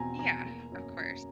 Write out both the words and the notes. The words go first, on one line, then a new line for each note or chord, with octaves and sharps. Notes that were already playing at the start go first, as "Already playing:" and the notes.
Yeah, of course.
Already playing: E2 B2 C4 G#5 A#5
E2 G#5 A#5
A#3
F#2
F#2